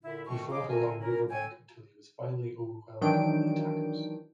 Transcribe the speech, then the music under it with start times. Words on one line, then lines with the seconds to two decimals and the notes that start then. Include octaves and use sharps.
He fought along the riverbank until he was finally overwhelmed by the attackers.
0.03 A#2 D3 E4
0.26 D2 B2 D#3 A3 C#6
0.50 G#4 C5 D#5 F5 C6 D6
0.68 A3 C4 A#4 C5 G#5
1.00 C#4 E4 A#4
1.30 C#4 A4 C#5 G5 G#5
3.01 D#3 E3 F#3 D4 G5 D7